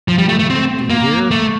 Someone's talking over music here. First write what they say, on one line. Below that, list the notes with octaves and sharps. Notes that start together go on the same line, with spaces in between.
Do you hear?
F3
G3
A3
A3
C4
A#3
A3